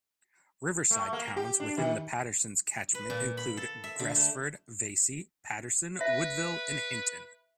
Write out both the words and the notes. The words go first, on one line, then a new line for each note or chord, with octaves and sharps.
Riverside towns within the Paterson's catchment include Gresford, Vacy, Paterson, Woodville and Hinton.
A3
A#3
G4
D4
D#3
B4
A#2
B5
A4
E5
D3
A3
B4 E5